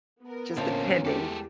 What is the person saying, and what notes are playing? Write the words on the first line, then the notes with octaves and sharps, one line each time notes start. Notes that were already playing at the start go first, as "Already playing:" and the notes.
just depending,
B3 A#4
A#1 D3 C#4 F4 C5 A5
E2 G#3 G4 A4